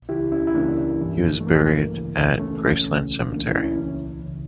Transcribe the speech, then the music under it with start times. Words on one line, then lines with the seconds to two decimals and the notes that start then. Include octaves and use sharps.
He was buried at Graceland Cemetery.
0.09 C#2 C#3 E3 E4 G4
0.32 C#4 E4
0.47 E4
0.54 C#2 C#3 E3 A#3 D4
1.01 G2 E3
1.40 A3
1.47 G2 E3 A#3
1.93 D2 C#3 E3
2.40 D2 C#3 E3 A3 C#4
2.86 C#2 C#3 E3
3.32 C#2 C#3 E3 A#3 D4
3.48 C#4 E4
3.63 C#4 E4
3.79 C#2 C#3 E3
4.25 C#3 E3